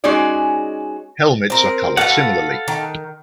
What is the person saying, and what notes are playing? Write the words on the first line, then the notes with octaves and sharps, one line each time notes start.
Helmets are coloured similarly.
G#3 C#4 D#4 F#4 G#4 D5
C4 A#4
F#4 A4 B4 F5 F#5
D#3